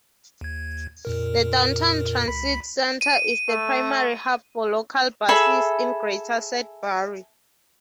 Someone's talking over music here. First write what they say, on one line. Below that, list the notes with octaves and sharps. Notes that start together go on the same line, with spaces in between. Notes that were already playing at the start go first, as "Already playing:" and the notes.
The Downtown Transit Centre is the primary hub for local buses in Greater Sudbury.
D#2 G#6
F2 A#2 A#4
C#2 B5 B6
D#7
A3
G#4 A4 E5 B5